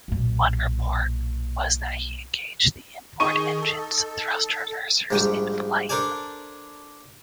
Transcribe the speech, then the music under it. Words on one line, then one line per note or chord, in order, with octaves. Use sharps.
One report was that he engaged the inboard engines' thrust-reversers in flight.
B1 A#2
D#3 D#4 G#4 C#6 D#7
A4
A#1 G#2 G3 G5
D4 A4 A#4 C5 D5 G#5